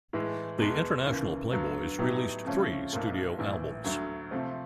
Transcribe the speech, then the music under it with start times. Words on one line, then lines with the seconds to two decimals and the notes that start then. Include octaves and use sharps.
The International Playboys released three studio albums.
0.13 A2 E3 G#3
0.59 E2 B2 G#3
1.06 D#2 C#3 E3
1.52 G2 D3 F#3 B3
1.99 A2 F#3 B3 D#4 G4
2.45 F2 C#3 F3 A3 C#4
2.92 B1 A#2 F3 A3
3.38 A#1 A2 E3
3.84 D2 D3 F#3
4.31 C3 F3 A3 C4